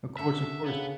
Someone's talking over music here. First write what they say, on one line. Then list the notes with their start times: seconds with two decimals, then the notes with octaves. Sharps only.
Of course, of course.
0.18 D3 C#4 E5
0.66 C#3 B3